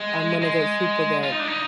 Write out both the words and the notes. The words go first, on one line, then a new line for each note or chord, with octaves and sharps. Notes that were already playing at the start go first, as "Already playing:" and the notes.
I'm one of those people that
Already playing: G#3
G#3
F4
D#4
D4
D#4